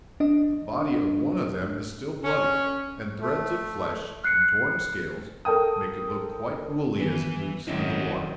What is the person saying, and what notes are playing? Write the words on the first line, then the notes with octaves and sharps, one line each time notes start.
The body of one of them is still bloody, and threads of flesh and torn scales make it look quite woolly as it moves through the water.
D4 D#5
C#4
A3
F6 F#6 C7 C#7
A4 A#4 G5 D#6
D#3 E3 B3 B4
F#2 D#3 C4 E4 D#5